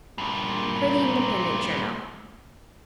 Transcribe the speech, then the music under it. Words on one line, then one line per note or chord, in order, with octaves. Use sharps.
For the Independent Journal.
G2 A#2